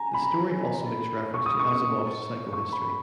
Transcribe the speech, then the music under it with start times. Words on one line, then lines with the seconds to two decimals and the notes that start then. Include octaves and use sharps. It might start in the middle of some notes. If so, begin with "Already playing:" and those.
The story also makes reference to Asimov's psychohistory.
Already playing: G#5 A#5
0.14 B5
1.34 C#6
1.46 D#6
1.60 C#6
2.53 C#6
2.72 B5